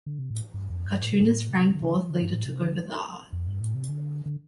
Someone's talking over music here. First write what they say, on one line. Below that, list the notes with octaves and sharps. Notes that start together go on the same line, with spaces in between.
Cartoonist Frank Borth later took over the art.
D3
C3
A2
G2
F2
G2
A2
C3
A2
C3
D3
C3
D3
F3
D3
G2
A2
C3
D3
F2
G2
A2
C3
D3
D3